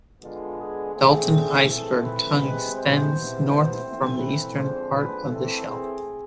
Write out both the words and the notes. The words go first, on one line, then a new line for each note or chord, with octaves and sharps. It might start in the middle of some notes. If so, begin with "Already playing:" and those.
Dalton Iceberg Tongue extends north from the eastern part of the shelf.
D3 G#3 B3 F4
G#4
D3 A3 C4 G#4
A2 E3 A3 C4 A4
B4
C3 G#3 C4
C5
C3 E3 B3
C5
E3 A3 C4
B4
D3 F3 G#3 C4 C5
B4
E3 A3 C4 A4
G#4